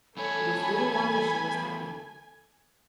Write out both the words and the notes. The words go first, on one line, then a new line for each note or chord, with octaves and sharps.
It is little wonder she was happy.
E2 A3 A4 C#5 G#5 B5